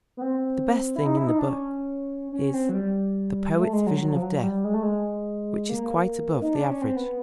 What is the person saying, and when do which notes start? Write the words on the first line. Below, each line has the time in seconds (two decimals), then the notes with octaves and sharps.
The best thing in the book is The Poet's Vision of Death, which is quite above the average.
0.17 B3
0.22 C4
0.96 E4
1.06 D#4
1.17 E4
1.27 D#4
1.39 D4
1.49 C#4
2.32 C#4
2.54 C4
2.69 F#3
2.74 G3
3.59 A3
3.73 G#3
3.87 F#3
4.00 F#3
4.13 F3
4.22 F#3
4.43 G3
4.64 G#3
4.74 A3
4.83 G#3
5.69 A#3
6.42 D#4
6.55 D4
6.69 C#4
6.82 C4
6.96 B3